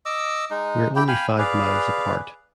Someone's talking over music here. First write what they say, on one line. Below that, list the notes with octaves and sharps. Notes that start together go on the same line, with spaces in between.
We're only five miles apart.
D#5 D6 E6
G#3 D#4
E4 G4 G5
F5 G5 G#5 B5
G#4 B4 D5 F5